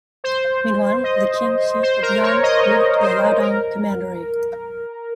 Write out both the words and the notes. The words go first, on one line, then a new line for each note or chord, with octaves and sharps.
Meanwhile, the King Xi of Yan moved to the Liaodong Commandery.
C5
D#5
C5
A#4
C#5
D#5
C#5
C5
A#4